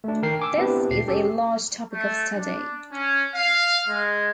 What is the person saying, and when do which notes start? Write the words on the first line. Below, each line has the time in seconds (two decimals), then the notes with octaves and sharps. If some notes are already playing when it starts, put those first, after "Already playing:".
This is a large topic of study.
0.04 A3 D4
0.22 D#3 A#4 G5 C7
0.40 G#5 D6 E6
0.57 B3 C4 D4 E4 G4 B4
0.90 D2 A#2 C7
1.08 C#4 G4 A4
1.92 A3
2.33 D4
2.92 C#4
3.33 F5
3.88 G#3